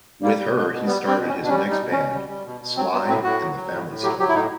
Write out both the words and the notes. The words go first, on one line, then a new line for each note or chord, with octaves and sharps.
With her he started his next band, Sly and the Family Stone.
G3 A#3
G3
B2
B2
G3 B3
G3
C4
B2
C#4
B2
D4
G3 C#4
G3 D#4
B2
B2 C#4
G3
G3
B2
B2
F#3 C4
F#3 B3
A2 C4
A2 F#4
F#3
F#3
A2
A2
F#3 G4
F#3 G4
E4
A2 D#4